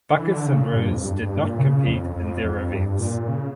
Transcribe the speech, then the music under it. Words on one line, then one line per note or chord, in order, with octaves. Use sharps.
Baccus and Rose did not compete in their events.
D3
E3
D3
C#3
A#2
G2
F2
G2
G2
A#2
C#3
F2
F2
F2
G2
A#2
C#3